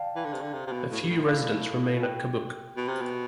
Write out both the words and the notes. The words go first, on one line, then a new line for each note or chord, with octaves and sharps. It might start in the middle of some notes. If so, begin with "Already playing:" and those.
A few residents remain at Kobuk.
Already playing: D5 F5 G5 A5
E3
D3
C3
D3
C3
C3
B2
A2
G2
A2
F5
G5
B2
C3
B2